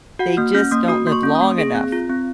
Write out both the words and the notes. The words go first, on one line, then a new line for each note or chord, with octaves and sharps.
they just don't live long enough.
F#4 F#5
A#3 F6
C#4 F6
A#3 D#6
F#4 D#6
A#3
C#6
C#4
D#6
A#3
G#4
C4
F4
C4